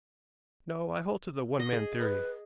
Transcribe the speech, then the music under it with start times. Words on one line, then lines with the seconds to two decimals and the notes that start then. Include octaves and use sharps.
"No, I hold to the one man theory."
1.60 D#5
1.73 G#4
2.00 B4